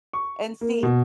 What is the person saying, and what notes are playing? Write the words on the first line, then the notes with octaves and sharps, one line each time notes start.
And see,
C#6
A#3
B2